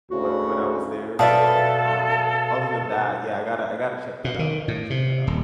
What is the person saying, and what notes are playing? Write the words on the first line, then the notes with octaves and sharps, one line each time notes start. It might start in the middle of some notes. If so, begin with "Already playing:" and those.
when when I was there, so, um, other than that, yeah, I gotta I gotta check that out. I gotta check that out.
D2 A2 C#3 F#4
B2 A4 D5 E5 F5 A5 D#6
B2
D#3
A2
C3
D#1